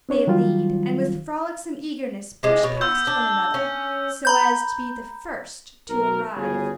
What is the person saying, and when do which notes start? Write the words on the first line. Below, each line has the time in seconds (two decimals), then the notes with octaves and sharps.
They lead, and with frolicsome eagerness push past one another, so as to be the first to arrive.
0.09 C4 D4 C#5
0.27 D#3 F#3 G3 F4
2.43 C3 G#3
2.63 B2 C#5
2.81 B3 E6 G6
3.07 D4
3.54 C#4
4.25 A#5 B5 G6
5.89 B1 A#4
6.36 G1 D2 C#3 G#4